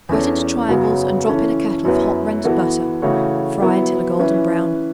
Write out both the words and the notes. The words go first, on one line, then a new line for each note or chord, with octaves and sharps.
Cut into triangles and drop in a kettle of hot rendered butter; fry until a golden brown.
E2 E3 C#4 A4
F#2 C#3 F#3 B3 F#4
E3 C#4 A4
F#2 F#3 B3 E4 B4
E3 B3 F#4 A4
C#3 E3 A3 F#4 C#5
F#3 B3 E4 B4
E3 C#4 E4 B4